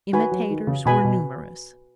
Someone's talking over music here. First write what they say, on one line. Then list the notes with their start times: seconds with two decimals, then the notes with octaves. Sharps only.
Imitators were numerous.
0.13 D#3 F#4 B4 G#5 B5
0.31 F#3
0.50 D#3
0.67 C#3
0.86 B2 F#4 B4 G#5 B5
1.04 B2